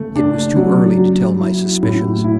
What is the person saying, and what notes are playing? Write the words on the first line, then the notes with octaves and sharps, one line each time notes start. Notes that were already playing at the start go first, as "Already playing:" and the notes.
It was too early to tell my suspicions.
Already playing: C#3 A3
D4
F#3
F#3
E4
A2
E4